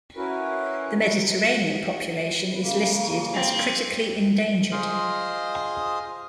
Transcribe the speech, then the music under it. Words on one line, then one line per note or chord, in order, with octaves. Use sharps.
The Mediterranean population is listed as critically endangered.
C#4 E4 F#4 A#4 B4
C#3 A#3
C4
F4 G#4 C5 D#5 D#6 F6